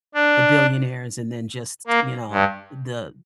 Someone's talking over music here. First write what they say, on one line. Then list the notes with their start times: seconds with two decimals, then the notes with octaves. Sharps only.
the billionaires and then just, you know, the
0.15 D4
1.87 A#3
2.31 G2